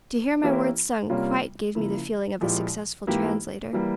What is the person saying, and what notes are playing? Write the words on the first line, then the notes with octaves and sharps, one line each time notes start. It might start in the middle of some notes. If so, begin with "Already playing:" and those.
To hear my words sung quite gave me the feeling of a successful translator.
E3 A#3 C#4 E4 G4
C3 G3 A#3 C#4 F4
C#3 F3 A#3 E4
A#2 F3 G#3 E4 G4
G#2 E3 A#3 E4 G4
E3 G3 A#3